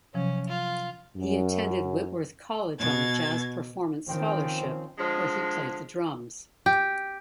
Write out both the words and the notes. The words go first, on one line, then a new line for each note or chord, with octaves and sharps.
He attended Whitworth College on a jazz performance scholarship, where he played the drums.
C3 F3 F#3 C#4
F4
F#2
B2 G#6 A6
D#3 F3 C4 C#4 G5
D3 F3 G#3
G4